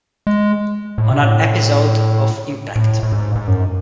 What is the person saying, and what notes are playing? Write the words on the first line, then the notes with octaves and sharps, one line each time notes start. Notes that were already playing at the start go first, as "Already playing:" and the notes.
On an episode of Impact!
G#3
A2
C3
A2
A2
A2
G#2
G#2
F#2